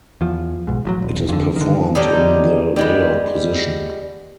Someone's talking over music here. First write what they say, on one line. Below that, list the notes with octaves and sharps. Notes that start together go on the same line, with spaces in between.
It is performed in the layout position.
E2 F3
B1 G#2
A1 F3 F#3
D#1
F2 D3
D3 D#3
D3 F#3 G3 D#4
G3 G#3 B3